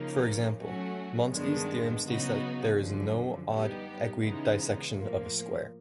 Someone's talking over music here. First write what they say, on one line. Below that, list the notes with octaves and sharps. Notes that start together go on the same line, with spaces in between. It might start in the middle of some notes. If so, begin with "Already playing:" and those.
For example, Monsky's theorem states that there is no odd equidissection of a square.
Already playing: C#3 F3 A#3 D#4
F#3 A3 C#4 F#4
G2 D#3 G#3 B3 D4
C#3 F#3 B3 D#4 F#4
F#2 D3 F3
G3 B3 D#4 G4
C#3 E3 G#3 B3 D#4
A2 F3 A#3